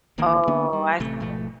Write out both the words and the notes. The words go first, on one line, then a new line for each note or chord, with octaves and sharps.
Oh, I see.
D1 A1 D#3 A#3
D3 A#3 B3 D4
G3
A1 C3 A3
G#1 B2 F3 A3